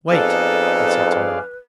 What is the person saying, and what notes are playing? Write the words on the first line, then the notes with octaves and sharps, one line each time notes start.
"Wait," I said to Moa.
F2 B3 D#4 G#4 A4 B4 D5 F5